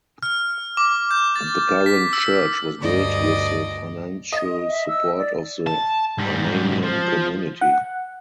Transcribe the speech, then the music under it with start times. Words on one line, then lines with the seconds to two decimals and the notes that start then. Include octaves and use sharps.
The current church was built with the financial support of the Armenian community.
0.23 F6
0.77 D6
1.11 G6
1.36 A6
1.86 B6
2.13 E6
2.79 D2 G2 D5 D#5
4.32 D#5
4.68 E5
4.87 E6
5.18 D5
5.67 A5
6.18 G#2 G3
6.82 F3
7.61 F#5